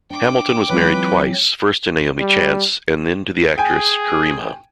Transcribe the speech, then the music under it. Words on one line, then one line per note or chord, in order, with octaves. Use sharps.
Hamilton was married twice, first to Naomi Chance, and then to the actress Kerima.
D4 G5 D6
E3 F#3 G#3 C4 F4 B4
G3
G#4 G5 G#5